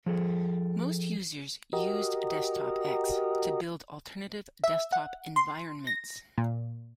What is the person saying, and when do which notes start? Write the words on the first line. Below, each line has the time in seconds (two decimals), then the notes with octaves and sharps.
Most users used DesktopX to build alternative desktop environments.
0.06 F3 G#4 A4
1.73 F#4 G4 A#4 D#5
4.64 E5
4.92 F#5
5.36 C6
5.87 A#6
6.38 A#2